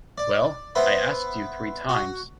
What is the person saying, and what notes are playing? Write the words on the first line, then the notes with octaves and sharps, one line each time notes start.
Well, I asked you three times.
D5
B3 B4 C5 E5
F#4